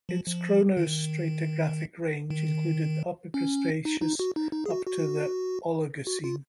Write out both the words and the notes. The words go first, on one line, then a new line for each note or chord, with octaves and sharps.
Its chronostratigraphic range included the Upper Cretaceous up to the Oligocene.
F3
F3
D#3
D#3
C#4
D#4
D#4
F#4
D#4
D#4
G#4
F#4
F#4
F#4
F4